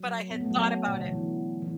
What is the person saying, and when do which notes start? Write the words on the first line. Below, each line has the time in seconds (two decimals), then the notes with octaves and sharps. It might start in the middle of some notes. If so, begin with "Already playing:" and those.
But I had thought about it.
Already playing: F#3
0.31 B3
0.40 A3
0.51 F#3
0.88 B2
0.98 D3
1.08 E3
1.62 E3